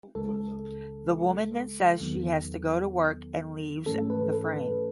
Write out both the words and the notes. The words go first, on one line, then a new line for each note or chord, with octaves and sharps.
The woman then says she has to go to work and leaves the frame.
C#2 C#3 G#3 A4
E2 D#3 F#3 B3
G#2 E3 A3 C#4 A4
B4
A4